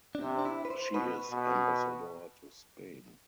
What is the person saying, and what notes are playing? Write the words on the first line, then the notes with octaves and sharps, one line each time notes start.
She is Ambassador to Spain.
D4
C3 C4
D4
E4
B4
C5
B2 B4
B2